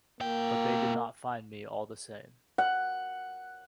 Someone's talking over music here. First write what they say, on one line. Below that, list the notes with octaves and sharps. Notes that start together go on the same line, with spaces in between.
But they did not find me all the same.
A#2 A#3 G5
F#5